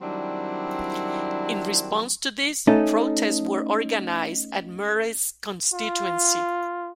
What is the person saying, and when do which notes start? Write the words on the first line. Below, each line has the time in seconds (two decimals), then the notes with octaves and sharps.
In response to this, protests were organised at Murray's constituency.
0.02 D#3 F#3 G3 C4 D4 E4
2.67 A3 C#4 D#4 A4
5.73 F4